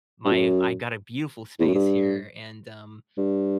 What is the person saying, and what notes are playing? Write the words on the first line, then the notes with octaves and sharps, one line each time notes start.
my I got a beautiful space here, and, um,
G2
F#2
E2
F#2
G2
G2